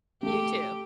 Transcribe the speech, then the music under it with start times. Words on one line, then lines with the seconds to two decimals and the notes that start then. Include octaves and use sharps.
You too.
0.23 A3 G4 A4